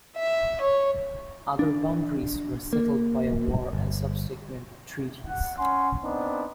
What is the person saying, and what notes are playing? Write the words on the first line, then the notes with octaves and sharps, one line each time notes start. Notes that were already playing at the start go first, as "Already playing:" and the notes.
Other boundaries were settled by war and subsequent treaties.
E5
C#5
D4
A#3
G1
F#5
C#4 F#5 G#5 C6
B3 C4 D4 D#4